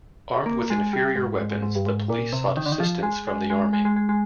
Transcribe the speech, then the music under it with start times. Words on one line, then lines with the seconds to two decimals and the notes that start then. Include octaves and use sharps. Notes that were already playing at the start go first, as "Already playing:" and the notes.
Armed with inferior weapons, the police sought assistance from the army.
0.46 A#3
0.70 G#3
0.93 G3
1.16 G#2
1.40 G#2
1.51 G#2
1.62 G#2
1.75 G2
1.86 G#2
2.10 A#2
2.33 C3
2.57 D#3
2.66 D3
2.72 D#3
2.80 F3
3.03 G#3
3.27 G#3
3.50 G#3
3.73 G#3
3.85 G#3
3.96 G#3
4.09 G#3